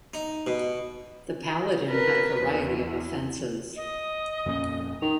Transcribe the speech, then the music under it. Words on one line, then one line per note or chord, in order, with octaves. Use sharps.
The Paladin had a variety of offenses.
D#4
B2
A#4 B4
E2
D#5
F2 A#2 C#4
D#3 F7